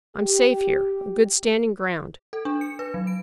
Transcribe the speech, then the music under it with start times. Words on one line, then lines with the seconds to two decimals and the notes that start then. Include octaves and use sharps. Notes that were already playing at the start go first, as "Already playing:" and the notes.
I'm safe here, on good standing-ground.
0.16 G4
2.33 A4
2.45 D4
2.61 C#7
2.79 B4
2.94 F#3
3.07 D7